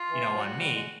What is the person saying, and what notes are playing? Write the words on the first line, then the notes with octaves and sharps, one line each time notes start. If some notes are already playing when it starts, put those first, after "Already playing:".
you know, on me.
Already playing: F4
E3
F3
F#3
G3 F#4
G3
G#3